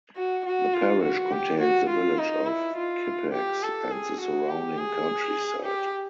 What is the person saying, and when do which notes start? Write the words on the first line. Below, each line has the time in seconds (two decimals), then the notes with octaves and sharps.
The parish contains the village of Kippax and the surrounding countryside.
0.16 F#4
0.45 F#4
0.73 F4
1.03 F#4
1.32 G4
1.60 F#4
1.89 F4
2.18 D#4
2.46 E4
2.77 F4
3.34 G4
3.63 A4
3.91 G#4
4.21 F#4
4.49 G4
4.78 G#4
5.64 G4